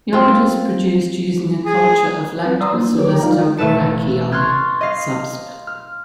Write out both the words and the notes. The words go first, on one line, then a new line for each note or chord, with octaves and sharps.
Yogurt is produced using a culture of "Lactobacillus delbrueckii" subsp.
C4 F4
G#4
G3 C4 B4 F#5
D5 A#5 C6 D#6 E6
A#3 D4
F#3 G4 A#4 B4 C#5 D6
D3 E3 A#4 G5 A#5
F3 G#3 D#4 F4 D5 F5
E1 A3 A4 B4 A5 C#7
C6 C#6 F6 F#6 G#6 A6
D#5 F5
F6